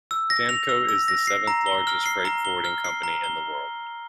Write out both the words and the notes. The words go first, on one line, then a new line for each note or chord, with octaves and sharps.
Damco is the seventh largest freight forwarding company in the world.
E6
A#6
F7
E6
E6
A#6
C7
A#5
G7
F6
C7
A#5
G7
F6
C7
A#5
G7